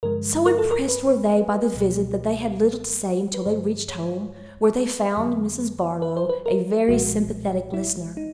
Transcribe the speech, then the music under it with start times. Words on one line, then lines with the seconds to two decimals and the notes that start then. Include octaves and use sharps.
So impressed were they by the visit that they had little to say until they reached home, where they found Mrs. Barlow a very sympathetic listener.
0.03 G2 D3 F3 G#3 A#4
0.46 A#4
0.58 A4
0.71 A#4
0.88 B4
1.74 C#2 B2 F#3
3.34 B4
3.45 G2 D3 F3 G#3 C5
3.89 C#5
5.17 F2 D3 F#3
6.02 B4
6.17 C5
6.29 B4
6.46 A#4
6.88 B1 A#2 F3 G#3 F#4
7.74 E4
8.17 D#4